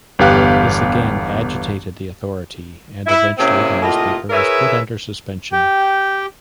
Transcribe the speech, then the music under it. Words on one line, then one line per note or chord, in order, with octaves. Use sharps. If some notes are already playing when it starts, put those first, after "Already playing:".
This again agitated the authority and eventually the newspaper was put under suspension.
G1 E2 B3 G4 F5 F#6
E4
C3 A#3 C4 C#4 E4 G#4
A2 C3 A#3 F4 D#5
E4 G#4 A#4 B4 C#5 E5
G4 G5